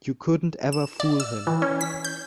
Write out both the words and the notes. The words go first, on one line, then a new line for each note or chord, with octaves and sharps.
You couldn't ever fool him.
E7
D5
E6
E3
C#4
B6
G6